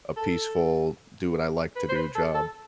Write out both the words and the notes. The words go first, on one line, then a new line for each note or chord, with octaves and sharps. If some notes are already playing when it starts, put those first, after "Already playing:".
a peaceful "do what I like to do" job.
A4
B4
C5
B4
A4
A4